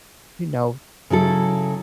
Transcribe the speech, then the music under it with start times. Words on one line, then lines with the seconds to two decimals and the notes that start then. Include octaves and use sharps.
you know,
1.10 C#3 F#3 E4 A4